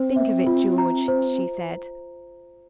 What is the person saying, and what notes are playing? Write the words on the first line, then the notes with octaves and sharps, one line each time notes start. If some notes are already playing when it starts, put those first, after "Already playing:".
"Think of it, George," she said.
Already playing: C4 C5
E5
F4
A#5
C5